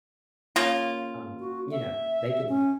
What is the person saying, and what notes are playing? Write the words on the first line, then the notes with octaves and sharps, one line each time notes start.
Um, you know, they can
C#3 A#3 F4
F#4
E5
C#4